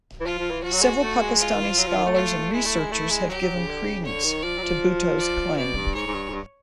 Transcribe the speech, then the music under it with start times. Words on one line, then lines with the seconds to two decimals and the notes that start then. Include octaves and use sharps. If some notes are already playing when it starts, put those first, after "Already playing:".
Several Pakistani scholars and researchers have given credence to Bhutto's claim.
0.20 E3
0.26 F3 F4
0.38 F3
0.50 E3
0.63 F3 F#4
0.72 F#3
0.82 G#3
1.01 A3
1.20 G#3
1.39 F4
1.54 D#3
1.63 E3
1.70 F3
1.78 F#3
1.86 F3
1.96 D#3
2.06 A3
2.15 F4
2.53 G#3 E4
2.65 A3
2.79 G#3
2.91 A3 E4
3.10 G#3
3.29 F#3 G4
3.41 F#3
3.55 C#3
3.68 D3
3.86 C#3
4.05 D3 C#5
4.24 D#3
4.43 F3 D5
4.58 F#3
4.62 F3
5.19 D5
5.57 B2 D5
5.76 G2
5.95 G#2 C#5
6.07 G#2
6.13 G2
6.29 G#2
6.33 G2